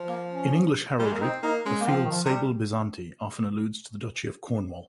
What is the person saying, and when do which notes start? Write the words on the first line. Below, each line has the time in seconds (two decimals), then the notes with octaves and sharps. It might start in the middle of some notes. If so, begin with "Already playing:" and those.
In English heraldry, a field "sable bezanty" often alludes to the Duchy of Cornwall.
Already playing: F3
0.09 A#3
0.31 C#4
0.99 G3
1.06 G#3
1.13 A#3
1.21 C4 D#4
1.43 A#3 D#4
1.66 G#3 C#4
1.81 A#3
1.88 F3 C4
2.05 D#3
2.10 F3
2.26 C3
2.29 G3